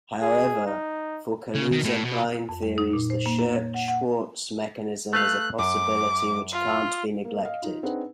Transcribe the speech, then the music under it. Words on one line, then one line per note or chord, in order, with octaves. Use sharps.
However, for Kaluza-Klein theories, the Scherk-Schwarz mechanism is a possibility which can't be neglected.
G#4
D#4
C#3
D#3
A2
B2
F2
G3
D#4
A#2
C5
A#3
A#5
C#5
F#5
F#5
A3 B4 F5 F#6
F#2 D6
F4
A#3
D#5 F5
D#4 F4
C4 D4 D#4 G#4 B4 F#5